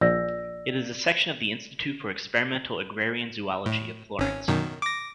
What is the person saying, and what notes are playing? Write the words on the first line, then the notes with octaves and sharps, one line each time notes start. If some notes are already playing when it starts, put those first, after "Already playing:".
It is a section of the Institute for Experimental Agrarian Zoology of Florence.
A#1 D5 E6 A#6
A2
G#1 C#4
F#2 B2 D#3
D6 A#6